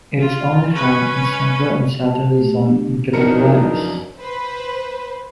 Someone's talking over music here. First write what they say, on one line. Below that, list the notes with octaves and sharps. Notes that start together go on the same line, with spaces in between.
It is only found in Central and Southern Luzon and Catanduanes.
F4
C#4 B4
A5
G4
A3
B3
D4
F2 C#3 E3 F#3 D4 D#4 A#4 C#7
B4 C5